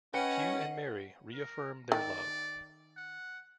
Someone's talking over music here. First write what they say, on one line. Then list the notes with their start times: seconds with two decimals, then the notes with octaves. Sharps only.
Hugh and Mary reaffirm their love.
0.14 C#4 B4 D#5 F#5 G5 C#7
1.33 A#4
1.92 D#3 D5
2.97 F#5